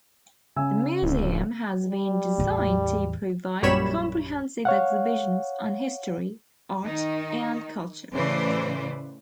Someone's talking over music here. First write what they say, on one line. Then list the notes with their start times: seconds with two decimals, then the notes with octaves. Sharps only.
The Museum has been designed to provide comprehensive exhibitions on history, art and culture.
0.56 C#3 G#5 E6
1.03 D1
1.88 G3
2.38 A1 E2
3.62 A#1 F#2 G3 C#5 B5 E7
4.65 C#5 F5 F#5
6.84 D#3 D#4
8.14 A2 C#3 E3 B4 C5 D5